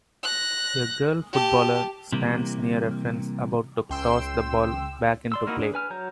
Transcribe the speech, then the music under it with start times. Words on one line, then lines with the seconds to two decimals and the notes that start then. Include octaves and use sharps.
A girl footballer stands near a fence about to toss the ball back into play.
0.23 F#6 A#6
1.32 G4 A5
2.12 C3 E3 G3 A#3
3.90 C#2 G5 C6 E6
5.32 D5 C6 E6
5.47 A#3 D#4 E4 F#4 F6
5.58 D4 G#4
5.74 B4 G#5 F6
5.90 F#3 C#5 A#5 G6